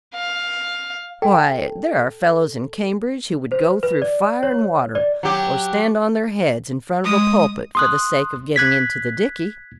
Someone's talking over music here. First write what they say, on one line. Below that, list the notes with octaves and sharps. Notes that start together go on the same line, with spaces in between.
Why, there are fellows in Cambridge who would go through fire and water, or stand on their heads in front of a pulpit for the sake of getting into the Dicky.
F5
A4 G5
C5
B4
D5
C#5
D5
F#3 G4
G#3 D#6
C6 D#6 F#6
F#6 G#6 B6